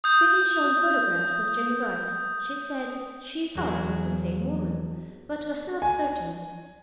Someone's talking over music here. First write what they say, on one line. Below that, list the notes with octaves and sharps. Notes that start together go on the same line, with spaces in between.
Being shown photographs of Jennie Brice, she said she thought it was the same woman, but was not certain.
D#6 G6
E2 F#3 G#4
G#5